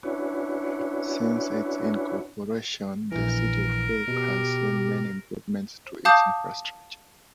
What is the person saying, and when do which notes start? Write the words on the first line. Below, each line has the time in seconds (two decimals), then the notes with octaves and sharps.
Since its incorporation, the City of Fouke has seen many improvements to its infrastructure.
0.03 C#4 D4 E4 F#4 B4 C#5
3.12 A#1 E3 A#4
4.08 B2 G4
6.05 F5 A5 D6 D#6 G6